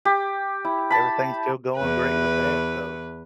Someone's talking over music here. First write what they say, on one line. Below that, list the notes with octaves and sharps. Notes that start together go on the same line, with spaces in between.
everything's still going great with that so
G4
E4
A5 B5
E2 B4